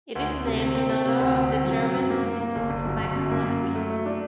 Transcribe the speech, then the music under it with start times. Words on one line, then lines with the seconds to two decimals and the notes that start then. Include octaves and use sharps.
It is named in honor of the German physicist Max Planck.
0.15 D2
0.30 D2
0.45 C3
0.60 C4
0.75 C4
0.90 C4
1.05 C3
1.20 D2
1.35 C4
1.50 C3
1.65 F#3
1.80 C4
1.95 F#2
2.10 A#3
2.25 A#3
2.40 A#3
2.55 G1
2.70 G1
2.85 F#3
3.00 G1
3.15 F#2
3.31 A#3
3.45 F#2
3.60 F#3
3.75 A3
3.90 A3
4.06 D4